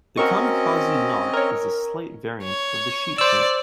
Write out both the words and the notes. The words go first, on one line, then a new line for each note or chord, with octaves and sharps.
The kamikaze knot is a slight variant of the sheepshank.
C4 C#4 F#4 A#4 D#5 C#6
A#4 C#5
C#5
C5 D5 E6